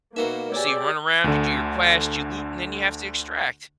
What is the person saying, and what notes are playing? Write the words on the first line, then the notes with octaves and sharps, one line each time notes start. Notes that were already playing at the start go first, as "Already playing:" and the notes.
so you run around, you do your quest, you loot, and then you have to extract,
B2 A#3 D#4 F#4 A#4 E5
G4 G#4 C#5 D5 G#5 D6 E6
D2 D3